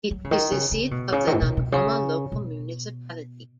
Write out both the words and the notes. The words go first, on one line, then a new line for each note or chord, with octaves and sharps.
It is the seat of the Nongoma Local Municipality.
F#3
C#3
D#3
C#3
C#3
B2
C#3
D#3
G#2
B2
B2
C#3
B2